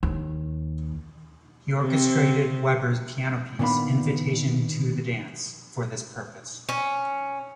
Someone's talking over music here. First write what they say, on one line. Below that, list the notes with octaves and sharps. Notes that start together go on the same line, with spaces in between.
He orchestrated Weber's piano piece "Invitation to the Dance" for this purpose.
D#2
C3 C4
A#2 D#3 B3 D4 F5 B5
C#4